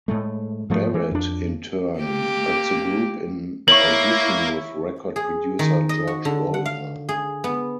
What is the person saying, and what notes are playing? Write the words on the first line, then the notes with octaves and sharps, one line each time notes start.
Barrett, in turn, got the group an audition with record producer George Goldner.
A2 G#3 A3
G#2 F3 A3
E3
F2 D4
A#3 G4
A#3 E4 C#5 C#6 F#7
G#4
D#3
D#5
F#4
D3
F#5
F5
G#4
B3